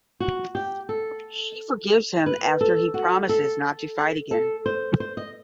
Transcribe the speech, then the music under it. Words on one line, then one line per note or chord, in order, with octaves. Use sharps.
She forgives him after he promises not to fight again.
F#4
G4
A4
B4
A4
F#4
A4
A4
C5
C5
D#5